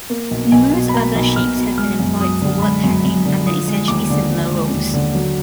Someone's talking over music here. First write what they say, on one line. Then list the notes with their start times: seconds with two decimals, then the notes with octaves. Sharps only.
Numerous other shapes have been employed for word-packing under essentially similar rules.
0.10 A#3
0.31 B1
0.52 B1 G#5
0.73 B2
0.89 B5
0.94 A#3 A#5
1.15 B1
1.36 B1 F6
1.57 B2
1.78 G#3 F6
2.00 F#2
2.20 F#2 D#6
2.42 D3
2.62 G#3 B5
2.84 F#2
3.05 F#2
3.25 D3
3.47 F3 D#6
3.68 G#3
3.88 D#2 D6
4.10 D3
4.31 F3
4.52 G#3
4.73 D#2
4.94 D3
5.15 F#3